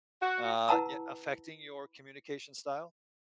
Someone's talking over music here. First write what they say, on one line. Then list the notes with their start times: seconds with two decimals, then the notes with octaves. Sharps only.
uh, ye affecting your communication style?
0.21 F#4
0.68 E4 B4 F#5 A5 A#5 E6